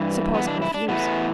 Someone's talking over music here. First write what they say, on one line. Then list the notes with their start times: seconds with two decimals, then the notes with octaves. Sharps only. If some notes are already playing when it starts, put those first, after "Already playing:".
"Suppose I refuse?"
Already playing: G2 E3
0.34 B3
0.47 D4
0.62 E4
0.74 D4
0.88 A2 E3 B3